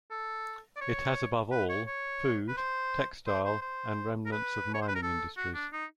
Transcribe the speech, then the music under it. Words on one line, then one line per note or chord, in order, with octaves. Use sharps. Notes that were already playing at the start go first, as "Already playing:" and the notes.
It has above all food, textile and remnants of mining industries.
A4
D5
C#5
B4
C#5
C#5
B4
C5
C5
C5
C5
A#4
B4
C#5
C5
B4
A#4
A4
F#4
D4
D#4